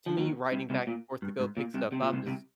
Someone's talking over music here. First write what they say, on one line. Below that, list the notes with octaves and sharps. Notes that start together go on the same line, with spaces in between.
to me, riding back and forth to go pick stuff up is
F3
D#2 D#3
C2 C3
C2 C3
A#2
G2
G#2
A#2
C2 C3
C3
A#2
C2 C3
C2 C3